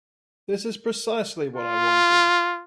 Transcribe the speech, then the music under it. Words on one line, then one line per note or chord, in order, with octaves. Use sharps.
This is precisely what I wanted.
F4